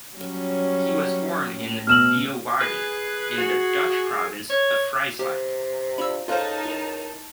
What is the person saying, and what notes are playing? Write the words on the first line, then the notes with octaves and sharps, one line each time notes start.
He was born in Leeuwarden, in the Dutch province of Friesland.
F#3 G3 C#4
A2
B2 E6 F6 E7 F#7
G#4 B4
F#4
C#5
C3 G4
D4 F4 B5 E6
C#2 D#4 F4 A4 C5 F5 A5 F#6
E4 A#4